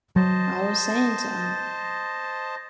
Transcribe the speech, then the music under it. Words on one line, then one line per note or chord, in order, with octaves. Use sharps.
I was saying to 'em.
F#3 C5 D#5 A5